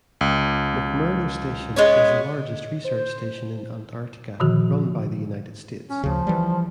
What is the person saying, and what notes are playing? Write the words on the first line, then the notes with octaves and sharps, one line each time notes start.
McMurdo Station is the largest research station in Antarctica, run by the United States.
C#2
G#3 B3 C#4
C5
A#2 D3 D#3 F3 F#4
C#4
D2 C#3 F3
E3 G3